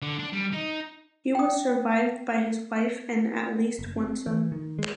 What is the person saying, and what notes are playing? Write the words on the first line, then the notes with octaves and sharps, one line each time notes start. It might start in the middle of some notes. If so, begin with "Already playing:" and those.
He was survived by his wife and at least one son.
D3
D4
G3
D#4
G5 D#6
F#1
C4
E3
D#3
G#3